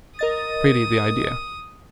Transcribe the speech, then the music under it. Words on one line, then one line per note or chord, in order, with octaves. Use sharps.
Pretty, the idea!
A#4 D#5 D#6 A6